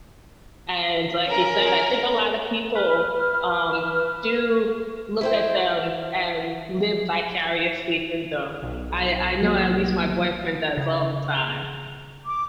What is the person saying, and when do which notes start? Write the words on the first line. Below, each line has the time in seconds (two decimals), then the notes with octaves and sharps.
and like you said, I think a lot of people, um, do look at them and live vicariously through them, I I know at least my boyfriend does all the time.
1.25 C#4 A#4
2.75 B4 F6
5.21 E4 C5 G5
8.62 B1
9.42 F#3 A#3
10.77 C#3
12.25 D6